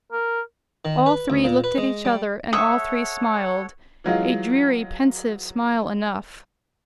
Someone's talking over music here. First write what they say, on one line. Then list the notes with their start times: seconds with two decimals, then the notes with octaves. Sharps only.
All three looked at each other, and all three smiled--a dreary, pensive smile enough.
0.12 A#4
0.85 D#3
1.06 B4
1.30 D2
1.44 A#2
1.64 B4
1.78 G#3
2.05 G3
2.53 A4 C#5 E5 F#5 C#6 D#6
4.04 E3 F#3 G#3 F4